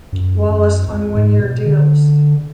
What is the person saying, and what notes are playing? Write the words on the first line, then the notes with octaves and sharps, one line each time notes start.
Wallace on one year deals.
F#2
F#2
F2
G#2
B2
D3